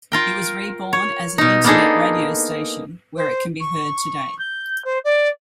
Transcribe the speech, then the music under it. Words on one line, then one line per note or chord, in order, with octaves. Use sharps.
It was reborn as an Internet radio station where it can be heard today.
F4 A#4 G5
C#5
B2 D#4
A#3 B3 D4 D#4 G#4 A4
C5
C#6
G6
C5
D5